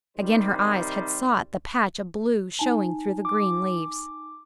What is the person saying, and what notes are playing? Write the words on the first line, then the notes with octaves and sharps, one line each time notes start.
Again her eyes had sought the patch of blue showing through the green leaves.
C3 D#3 G3 C5
D#4 G#5 A5
D6